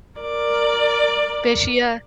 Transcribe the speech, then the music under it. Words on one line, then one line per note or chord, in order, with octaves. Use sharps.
Did she uh
A#4 D5